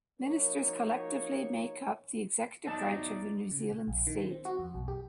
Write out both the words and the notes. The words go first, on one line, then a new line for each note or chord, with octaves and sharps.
Ministers collectively make up the executive branch of the New Zealand state.
F3 A#3 D#4 F#4 A#4 C#5
E2 F#3 D#4 D5 A5
C#3
A#2
A#1
D#3
C4
F#4
F2
B1
G4